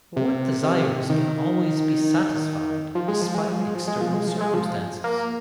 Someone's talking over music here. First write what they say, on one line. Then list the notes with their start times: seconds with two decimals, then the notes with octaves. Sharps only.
But what desires can always be satisfied despite external circumstances?
0.16 C3
0.63 C3
1.10 D#3
2.95 F3
3.08 G#3
3.21 F3
3.35 G#3
3.48 F3
3.61 G#3
3.75 F3
3.88 G#3
4.01 F3
4.14 G#3
4.27 F3
4.41 G#3
4.54 F3
5.04 A#3